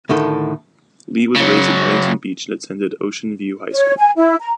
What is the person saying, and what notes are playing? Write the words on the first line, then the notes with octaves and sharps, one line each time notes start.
Lee was raised in Huntington Beach and attended Ocean View High School.
D2 A2 D3 D#3 A4
C#3 F#3
C#5
G#5
E4
A#5